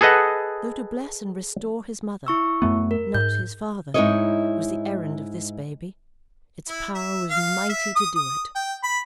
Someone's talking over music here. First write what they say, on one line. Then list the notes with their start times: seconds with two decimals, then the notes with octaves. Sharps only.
Though to bless and restore his mother, not his father, was the errand of this baby, its power was mighty to do it.
0.01 G#4 A4 B4 D#5 F#5
2.27 E4 C#6 E6
2.62 F#2 A3 B3
2.91 A#4
3.14 G#2 G6
3.94 G#2 D#4 E4 G#4 C#5 D#5
6.68 E4
6.95 E5
7.30 F5
7.69 E5
7.96 D#6
8.15 D#6
8.55 G5
8.83 B5